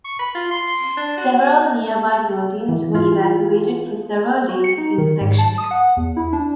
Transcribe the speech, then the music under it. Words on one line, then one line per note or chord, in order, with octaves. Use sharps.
Several nearby buildings were evacuated for several days for inspection.
C#6
B5
F4
C6
D4
F#4
F#4
E3
F4
F#4
C#7
D#4
D#3
G#2
A5
D#6
F#5
E2
E4
D4